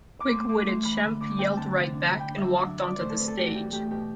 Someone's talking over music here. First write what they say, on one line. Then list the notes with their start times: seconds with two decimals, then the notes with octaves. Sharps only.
Quick-witted Shemp yelled right back, and walked onto the stage.
0.20 D6
0.30 A3 C6
0.48 A3 D6
0.67 A3 C6
0.85 E3 B5
1.03 D3
1.20 D3 D6
1.38 C4 G5
1.57 D3 A5
1.75 C3
1.93 D4
2.10 D4 B5
2.20 G5
2.29 D4
2.38 E5
2.47 F#3
2.65 D4
2.82 D4 D5
3.00 A2 C5
3.10 A4
3.19 C4 B4
3.28 A4
3.36 A3 G4
3.46 F#4
3.54 E3 G4
3.72 A3 G4
3.90 B2 G4